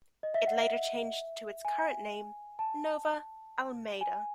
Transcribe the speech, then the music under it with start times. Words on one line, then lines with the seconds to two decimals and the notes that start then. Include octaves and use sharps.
It later changed to its current name, Nova Almeida.
0.23 D#5
0.34 E5
0.47 F#5
0.59 E5
1.65 G#5
2.59 A5
4.01 G#5